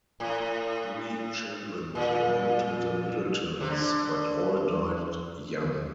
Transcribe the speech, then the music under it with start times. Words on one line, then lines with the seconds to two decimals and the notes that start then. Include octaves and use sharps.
Three children were born to the Middletons, but all died young.
0.20 A2
1.95 A#2
3.61 C3
3.70 D3